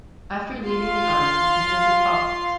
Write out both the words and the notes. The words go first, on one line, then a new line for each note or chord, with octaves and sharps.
After leaving the army, he entered politics.
F4 F5 C6